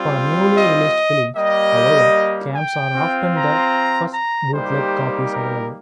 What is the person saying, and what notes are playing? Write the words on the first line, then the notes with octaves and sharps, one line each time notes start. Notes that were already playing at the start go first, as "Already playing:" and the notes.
For newly released films, however, cams are often the first bootleg copies available.
Already playing: G3 C4 F4
D#5
G3 A#3 G4 D#5
G5
C4 F4
A#5
A#5
G3 A#3 D#4 G4 C5
A#4